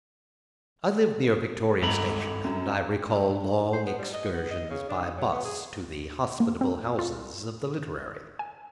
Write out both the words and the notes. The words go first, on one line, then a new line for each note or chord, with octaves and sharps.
I lived near Victoria Station, and I recall long excursions by bus to the hospitable houses of the literary.
G#1 G2 A4 A#5 B5
F#2
C5
B3
G3
D#5
B3
D#5
C#3
D4
D#4
F#3
B3
G#4
A#3
C4
F4
G#5